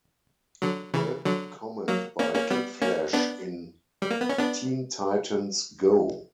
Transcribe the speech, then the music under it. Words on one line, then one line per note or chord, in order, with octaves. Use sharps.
A comment by Kid Flash in Teen Titans Go!
D3 F#3
C#3 E3
D3 F#3
F#3 A#3
A#3 C#4
A#3 C#4
G3 B3
A#3 C#4
B3 D4
G3
A#3
B3
C#4
B3 D4